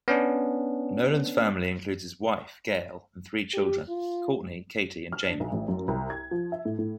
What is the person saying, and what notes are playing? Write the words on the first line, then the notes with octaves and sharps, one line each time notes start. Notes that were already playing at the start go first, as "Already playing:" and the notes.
Nolan's family includes his wife, Gail, and three children, Courtney, Katie and Jamie.
B3 C#4 D4
G4
F4
F6
D4
B1
A1
F#2
C2
G#6
F3
E5
A2
A2